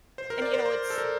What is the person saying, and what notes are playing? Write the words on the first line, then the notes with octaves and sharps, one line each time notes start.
and you know, it's
C5
A#4
D5
C5
C5
A4
A#4